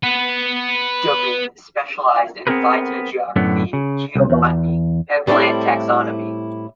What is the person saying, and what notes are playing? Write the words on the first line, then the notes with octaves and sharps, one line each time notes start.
Domin specialised in phytogeography, geobotany and plant taxonomy.
B4 F#5
B3 C4 D4 G#4 A#4 B4
F#2 A2 D3 B3
C#3
C2
E2
A2 G3 A3 C4 E4